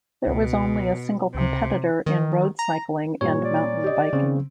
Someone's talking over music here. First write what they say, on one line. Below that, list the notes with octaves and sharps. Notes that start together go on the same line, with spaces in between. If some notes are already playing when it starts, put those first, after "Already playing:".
There was only a single competitor in road cycling and mountain biking.
C#2 B2
C#2 C3
D#3
A#5
A#2 G3 C#5
D5
G4 D#5
C#3 C4